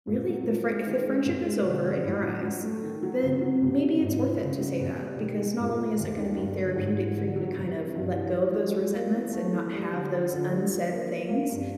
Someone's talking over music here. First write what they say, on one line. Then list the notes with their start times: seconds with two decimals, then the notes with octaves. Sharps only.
really, the frie if the friendship is over in your eyes, then maybe it's worth it to say that, because not only is it gonna be therapeutic for you to kind of let go of those resentments and not have those unsaid things,
0.07 A#2
0.27 F#3
0.46 F3
0.66 G#3
0.87 D#3
1.05 G#3
1.26 B2
1.45 G#3
1.65 D3
1.85 G3
2.04 A2
2.23 F#3
2.43 F#3
2.63 A3
2.83 D#3
3.03 F#3
3.22 C#3
3.41 F#3
3.62 C3
3.81 F3
4.01 G#2
4.21 F3
4.41 C#3
4.59 F#3
4.80 B2
4.99 G3
5.20 D#3
5.38 G#3
5.59 A#2
5.78 F3
5.98 D#2
6.17 D#3
6.37 G2
6.57 D3
6.76 G#2
6.97 E3
7.17 D3
7.36 F#3
7.56 C3
7.75 E3
7.95 G2
8.15 E3
8.34 E3
8.54 G#3
8.73 F3
8.94 A#3
9.13 E3
9.33 A3
9.53 E3
9.72 G3
9.92 D3
10.11 F3
10.31 D3
10.51 G3
10.70 F3
10.90 A#3
11.10 F3
11.29 A#3
11.49 G2